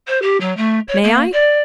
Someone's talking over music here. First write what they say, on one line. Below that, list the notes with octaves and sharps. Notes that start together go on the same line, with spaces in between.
"May I?"
C5
G4
F#3
A3
C#5
A#3
D5